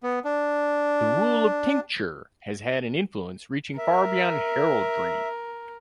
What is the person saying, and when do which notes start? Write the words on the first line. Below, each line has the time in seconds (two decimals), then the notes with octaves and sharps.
The rule of tincture has had an influence reaching far beyond heraldry.
0.03 B3
0.24 D4
3.78 A#4 E5